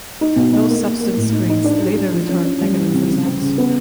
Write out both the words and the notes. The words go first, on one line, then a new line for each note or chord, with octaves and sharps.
Those substance screens later returned negative results.
D#4
B2
D#4
A#3
A#3
A#3
A2
D#4
D#4
D4
G4
D4
F3
C#4
C#4
G3
E3
C3
C#3
C4
C#3
B3